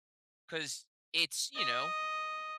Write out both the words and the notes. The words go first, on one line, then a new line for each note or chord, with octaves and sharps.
'cause it's, you know,
D#5